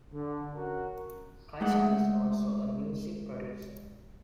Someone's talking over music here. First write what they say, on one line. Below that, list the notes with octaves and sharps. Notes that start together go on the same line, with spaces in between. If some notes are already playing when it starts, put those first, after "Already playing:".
Kaysha is also a music producer.
D3
C#4 F#4 A#4
G#3 A3 F#5